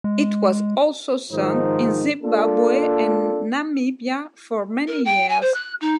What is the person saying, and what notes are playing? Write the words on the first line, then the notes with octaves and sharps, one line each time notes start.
It was also sung in Zimbabwe and Namibia for many years.
G#3
G#2 D#3 F3 D#4 C5
A#3 D4 F4 A4
A#4
G5
G#5
C5
F#6
D#4